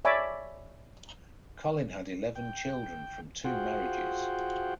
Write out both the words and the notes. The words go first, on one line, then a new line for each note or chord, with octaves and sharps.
Colin had eleven children from two marriages.
C#5 D5 E5 G#5 B5 D6
G5
F4 F#4 G#4 C5 F#5 G5